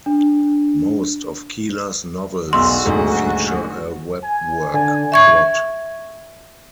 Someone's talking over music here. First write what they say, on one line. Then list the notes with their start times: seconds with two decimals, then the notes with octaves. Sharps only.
Most of Keeler's novels feature a webwork plot.
0.06 D4
2.53 E1 B1 F#4 C6 E6
2.85 D#1 D2 G#2
4.23 G#5
4.74 D3 D5 G#5
5.12 E5 C#6 G#6